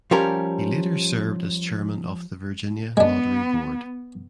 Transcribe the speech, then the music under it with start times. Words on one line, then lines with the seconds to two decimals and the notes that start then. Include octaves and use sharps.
He later served as chairman of the Virginia Lottery board.
0.11 F3 G3 C#4 G4 A#4
2.97 G#3 B3 D4